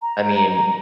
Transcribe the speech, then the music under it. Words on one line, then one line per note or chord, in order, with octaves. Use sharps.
I mean,
A#5